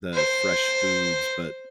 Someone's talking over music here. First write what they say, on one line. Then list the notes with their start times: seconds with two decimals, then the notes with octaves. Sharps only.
the fresh foods, but
0.14 C5